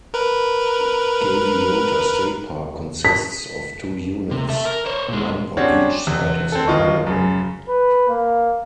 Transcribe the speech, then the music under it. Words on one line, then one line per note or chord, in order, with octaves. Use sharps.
Gaviota State Park consists of two units, one on each side of the highway.
A#4 B4
B6
C3
A4 E5
A#4
C5 C#5
A#2 G#3
C#3 C4 D4 F#4 G4 C#5
E2 C3
C4 A4
G#1 F4 B4 D#5 C#6
F#2 C#3
B4
A#3